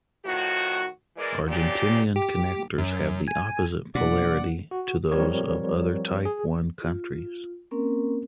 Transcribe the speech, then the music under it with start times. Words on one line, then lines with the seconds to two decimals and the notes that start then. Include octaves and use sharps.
Argentinean connectors have the opposite polarity to those of other Type One countries.
0.25 A2 D#3 F3 F#4
1.17 E3 G#3 A#4 D5
1.47 D2 A#2 C#4 G4 D5
2.16 G4
2.78 F#2
3.28 G#5
3.95 B2 F#3 A#3 D4 D5 F#5
4.71 F#4
5.12 F3 G3 C4 A#4 C#5
6.25 G#4
6.82 F4
7.71 A#3 C4 C#4 A#4